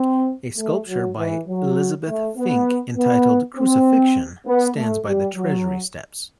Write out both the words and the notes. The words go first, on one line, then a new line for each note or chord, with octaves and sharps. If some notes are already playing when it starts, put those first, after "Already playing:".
A sculpture by Elizabeth Fink entitled "Crucifixion" stands by the Treasury steps.
Already playing: C4
A3
F#3
E3
F#3
A3
B3
B3
C4
B3
A3
G3
F#3